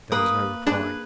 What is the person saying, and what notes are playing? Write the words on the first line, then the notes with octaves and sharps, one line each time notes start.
There was no reply.
A#3 B4 D#6
D4 G#4 B4